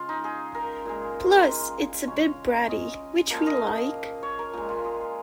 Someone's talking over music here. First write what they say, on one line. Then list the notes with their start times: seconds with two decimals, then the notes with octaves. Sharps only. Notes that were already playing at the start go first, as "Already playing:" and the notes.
Plus it's a bit bratty, which we like!
Already playing: C#3 G#3 F4
0.09 D#4
0.24 G#4
0.55 A#4
0.85 A#2 G#3
1.47 F4
2.08 C#3 G#3 C#5
2.69 D#5
3.30 A#2 F3 A#3 F5
3.47 D#5
4.23 C#5
4.39 A#4
4.53 A#2 G#3
4.69 F4
4.85 G#4